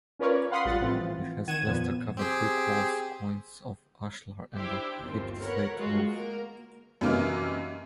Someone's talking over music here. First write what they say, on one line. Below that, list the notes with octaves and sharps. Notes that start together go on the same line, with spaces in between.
It has plaster-covered brick walls, quoins of ashlar, and a hipped slate roof.
C#4 F4 A#4 B4 C#5 D5
F5 F#5 B5 C6 D#6
A1 G3 F4 F#5 A6
A2 E3 F3 C4 F4
D#3 F#5 G#6 D#7 E7
F2 A#2 F3 B3
C4 G4 G#4
D4 E4 G4 C5
G1 D#2 C4 F4
A#4 B4 C#5 F#5
F#3 G#3 F4 F#4
A#3 A#4
F#2 C3 E3 A#3 D#4 F6